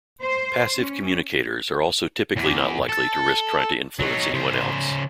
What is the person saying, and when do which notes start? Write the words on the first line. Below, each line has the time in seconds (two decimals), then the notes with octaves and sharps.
Passive communicators are also typically not likely to risk trying to influence anyone else.
0.24 C5
0.78 C#4
2.36 E2
2.89 A4
3.99 F#3 D#4
4.33 C#3 C5